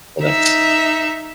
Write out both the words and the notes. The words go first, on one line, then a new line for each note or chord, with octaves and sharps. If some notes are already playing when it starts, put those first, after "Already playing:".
So, that's
D#4 E5